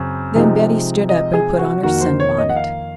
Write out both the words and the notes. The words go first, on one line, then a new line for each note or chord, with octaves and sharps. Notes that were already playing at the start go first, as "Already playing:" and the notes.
Then Betty stood up and put on her sunbonnet.
Already playing: F#2 C#3 C4
C3 F3 G#3 D#4
D#5
G#4
F#4
F2 D#3 A#3 F#4
C5
C#5
D#5
F#5
F5